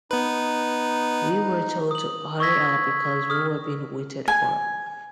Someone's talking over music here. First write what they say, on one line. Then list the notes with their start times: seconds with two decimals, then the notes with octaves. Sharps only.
We were told to hurry up because we were being waited for.
0.11 B3 D#4 B4
1.91 D#6 F#7
2.40 C#6 D#6 E6 G#6 A#6 B6
3.30 D#6 F6
4.28 G#5